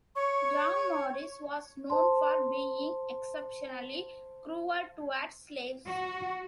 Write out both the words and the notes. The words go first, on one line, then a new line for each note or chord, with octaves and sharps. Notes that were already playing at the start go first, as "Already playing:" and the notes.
John Maurice was known for being exceptionally cruel towards slaves.
C#5 C#6
C5 A5 C6
F#4